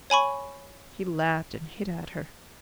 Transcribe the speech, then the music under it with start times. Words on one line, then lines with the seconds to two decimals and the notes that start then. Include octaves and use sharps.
He laughed and hit at her.
0.10 C#5 G#5 B5 C#6